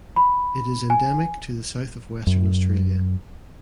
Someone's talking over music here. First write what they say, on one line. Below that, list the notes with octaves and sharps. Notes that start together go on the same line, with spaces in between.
It is endemic to the south of Western Australia.
B5
G#5
F#2